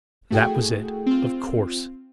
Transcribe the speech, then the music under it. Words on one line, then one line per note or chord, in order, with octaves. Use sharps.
That was it, of course.
A3 E4 F#4 G#4 A4 G5
C4 F4